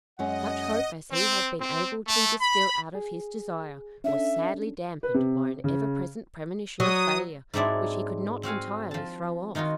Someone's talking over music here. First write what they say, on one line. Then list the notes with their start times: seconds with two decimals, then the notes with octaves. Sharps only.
Such hope as he had been able to distil out of his desire was sadly dampened by an ever-present premonition of failure, which he could not entirely throw off.
0.19 F#2 G#3 C#4 D#5 F#5
1.11 C4
1.58 C4
2.05 A3
2.39 B5
2.95 G#4
4.04 C#4 D4 A4 E5
5.03 B4
5.14 C3
5.64 C#3
6.80 F#3 D#6
7.54 G#2 F#3 C4 D4 E4 D5
8.43 C4 F#4 F5 G#5
8.91 F3 A5
9.55 D#3 D#4 F4 F#4 A#4